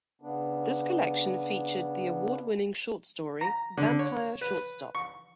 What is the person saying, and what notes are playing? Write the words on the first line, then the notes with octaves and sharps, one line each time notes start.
This collection featured the award-winning short story "Vampire Shortstop".
C#3 B3 D4
A#5
D3
C#5
B4
C#6